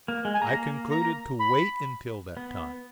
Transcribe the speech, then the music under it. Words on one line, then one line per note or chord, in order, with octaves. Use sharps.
I concluded to wait until that time.
A#3
G#3
G#5
A#3 A#5
A#5
B5
B3